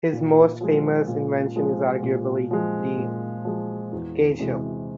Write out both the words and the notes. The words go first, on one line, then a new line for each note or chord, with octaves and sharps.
His most famous invention is arguably the "Cage Heel".
A#2
F3 G#3
A#2
F3 G#3
A#2
F3 G#3
A#2
F3 G#3
E2
C3 E3 G#3